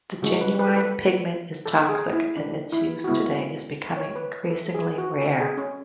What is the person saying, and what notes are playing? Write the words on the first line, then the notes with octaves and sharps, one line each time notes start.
The genuine pigment is toxic, and its use today is becoming increasingly rare.
C#3 E3 G#3 C#4 F#4
B4
B4
A4
B4
A4
G#4
E4
D4
E4
F#4
C#3 G#3 B3 E4
C#5
B4
B4
A4
G#4
F#4
A4
G#4
C#4